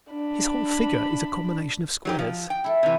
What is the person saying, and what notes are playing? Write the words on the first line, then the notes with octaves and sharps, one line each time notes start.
His whole figure is a combination of squares.
D4 B5
F#3 D#4 G4
F3
G5
E4 A4
C3 E3